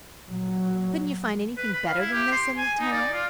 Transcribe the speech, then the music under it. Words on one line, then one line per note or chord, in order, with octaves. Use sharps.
Couldn't you find anything better than this in the town?
A#2 F#3
B4
B5
F5
E4
G4
C6
G#5
D#4
D5
F4